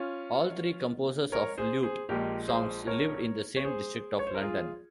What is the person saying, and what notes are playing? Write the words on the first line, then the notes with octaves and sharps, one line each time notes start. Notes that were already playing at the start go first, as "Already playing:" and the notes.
All three composers of lute songs lived in the same district of London.
Already playing: C#4 F4
A#4 C#5
G#4 C5
G#4 C5
A#1 A#2 G#3 G4 A#4
G#4 C5
A#4 C#5
C#5
G#4 C5
C#5
C5
A#4
F4 G#4